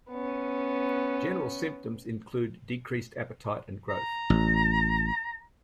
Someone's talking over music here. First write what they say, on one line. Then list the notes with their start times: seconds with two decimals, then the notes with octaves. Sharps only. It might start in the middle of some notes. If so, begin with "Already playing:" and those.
General symptoms include decreased appetite and growth.
0.10 B3 C#4
3.89 A#5
4.30 A1